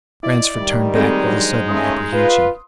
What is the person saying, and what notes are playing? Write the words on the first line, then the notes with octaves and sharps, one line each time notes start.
Ransford turned back with a sudden apprehension.
E4 D5 D#5
D#3 G3
G#3 A3 C4 D#4 A4
F#3 D4 C5
D#2 A3 C#4 C6 D#6
F4 B4